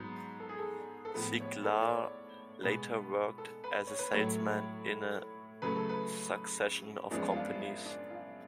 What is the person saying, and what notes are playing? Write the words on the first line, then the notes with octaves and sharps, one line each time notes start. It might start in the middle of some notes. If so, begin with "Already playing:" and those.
Ziglar later worked as a salesman in a succession of companies.
Already playing: G#2 F#3 B3
A4
G#4
A4
A4
A2 F3 B3 B4
C#5
A4
D5
C#5
B2 G#3 B3 B4
A4
B4
C#5
B4
A2 F#3 A3 C#5
C#3 F#3 A3 B4
A4
B4
F#2 F3 G#3 B3 D4
F4
D4
F4
D4
F4